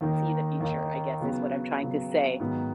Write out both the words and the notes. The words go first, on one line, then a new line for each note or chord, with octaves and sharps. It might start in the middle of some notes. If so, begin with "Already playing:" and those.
see the future, I guess is what I'm trying to say.
D#2 D#3 A#3 D#4
D#2 D#3 A#3 D#4
C#3 F#3 B3
C#3 F#3 B3
G#2 D#3 F#3 B3